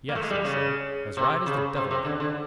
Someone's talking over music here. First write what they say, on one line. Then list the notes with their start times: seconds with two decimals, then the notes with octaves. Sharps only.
"Yes," I said, "as right as the devil would have it."
0.09 A#3
0.15 A3
0.22 G#3
0.30 G3
0.45 C#3
1.17 C3
1.46 C#3
1.76 C3
1.91 C3
2.05 D3
2.20 D3